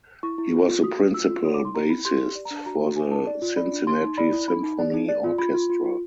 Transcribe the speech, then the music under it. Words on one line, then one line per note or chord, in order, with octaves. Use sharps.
He was the principal bassist for the Cincinnati Symphony Orchestra.
E4 C#6
E4
F4
F4
F#4 D#6
F#4
F4 E6
F4
C#5 D#6
D6
D#4
C6
E4 A#5
E4 B5
G4 C6
G4
D5
A#5
D4
A5
F#4 A#5
F#4
D#4 G#5
D#4 A5
D5
F4
D5 B5
D4
D#4 C6
D#4
D5 B5
E4
D#4 B5
D#4
D5
D#4
D5
F4
F4 B5
F4
F4
F4